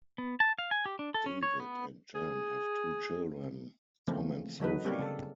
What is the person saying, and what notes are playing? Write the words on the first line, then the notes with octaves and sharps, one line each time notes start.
David and Jan have two children, Tom and Sophie.
B3
A5
F5
G#5
G4
D4
A4
C#4
C#5
B3
G#4
C#3 E3 F3 A3 A#3 C4
D3 F#3 D#4 B4
G3 A#3 C4 G4 A#4 C#5
C#3 A4